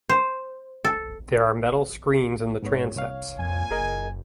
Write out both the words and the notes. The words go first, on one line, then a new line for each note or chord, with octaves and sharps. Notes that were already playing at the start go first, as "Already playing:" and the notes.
There are metal screens in the transepts.
C5
A4
G#2 B3 C#5
C2 C#5 F5
F2 A#2 G#5
F#1 G#4 A#4 D#5